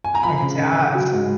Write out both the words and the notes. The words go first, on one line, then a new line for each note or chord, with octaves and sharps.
Oh, it does.
G#5
A#5
F3 B5
C#3
C#3
C#3
F#3
G#2